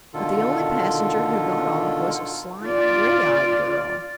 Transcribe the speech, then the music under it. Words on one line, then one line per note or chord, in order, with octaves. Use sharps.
But the only passenger who got off was a slight, gray-eyed girl.
B2 D3 D#3 F4 A4
F4 D5